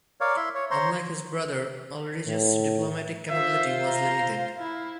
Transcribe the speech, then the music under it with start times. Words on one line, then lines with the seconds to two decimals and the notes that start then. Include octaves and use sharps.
Unlike his brother, Ulrich's diplomatic capability was limited.
0.21 A#4 C#5 D5 F5
0.36 E4 E5 B5 C6
0.55 C#5
0.71 C5 C#5 A#5 C6
2.27 A2
3.30 F4 C5 E5
3.86 A#5
4.58 E4 F5